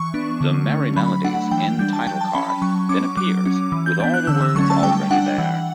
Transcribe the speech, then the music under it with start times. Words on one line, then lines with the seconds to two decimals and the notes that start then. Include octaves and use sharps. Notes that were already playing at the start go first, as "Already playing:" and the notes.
The "Merrie Melodies" end title card then appears with all the words already there.
Already playing: E3 C#6
0.14 B3 D4
0.41 D3
0.69 A3 C#4
0.96 F#3 B5
1.24 A3 D4 F#5
1.51 E3 G5
1.79 G3 D4 G6
1.93 A5
2.07 F#3 G5
2.21 A5
2.35 C#4 B5
2.48 B5
2.62 F#3 C#6
2.89 C#4 D6
3.17 F#3 D6
3.45 C#4
3.72 E3
3.86 G6
4.00 B3 D4 G6
4.14 F#6
4.27 D3 E6
4.42 E6
4.55 F#3 A3 C#4 C#6
4.70 A5
4.83 G3 G5
5.10 D4 F#5
5.38 E3